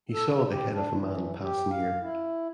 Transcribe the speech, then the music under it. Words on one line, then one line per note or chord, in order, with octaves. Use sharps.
He saw the head of a man pass near.
A4
C#3
G4
D4
E3
G4
F5
E4